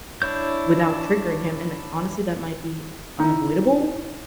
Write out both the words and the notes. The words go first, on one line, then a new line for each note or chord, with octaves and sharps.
without triggering him, and it honestly, that might be unavoidable,
D4 E4 C#5 G6
D#4 E4